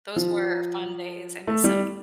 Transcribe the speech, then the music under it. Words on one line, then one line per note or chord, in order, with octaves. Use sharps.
those were fun days. I miss 'em.
F3
A3
G3